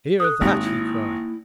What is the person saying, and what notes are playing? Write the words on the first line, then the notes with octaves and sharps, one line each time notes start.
"Hear that!" he cried.
A4 D#6 F#6
G#1 A#3 G4
E4